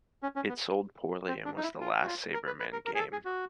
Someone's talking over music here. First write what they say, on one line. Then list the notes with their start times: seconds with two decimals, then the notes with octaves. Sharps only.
It sold poorly and was the last Sabreman game.
0.23 C#4
0.36 C#4
0.49 B3
1.28 C4
1.45 D4
1.57 D#4
1.63 E4
1.81 F4
2.01 F#4
2.06 F4
2.33 A#4
2.47 B4
2.59 B4
2.73 A#4
2.86 A#4
2.95 G#4
2.99 A4
3.12 G#4
3.25 F#4